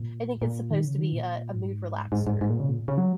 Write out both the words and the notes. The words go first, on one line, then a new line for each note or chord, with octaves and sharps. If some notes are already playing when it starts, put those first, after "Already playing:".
I think it's supposed to be a a mood relaxer.
Already playing: A#2
A#2
D#3
C#3
D#3
A#2
G#2
G#2
G#2
G#2
A#2
C#3
A#2
C#3
F#3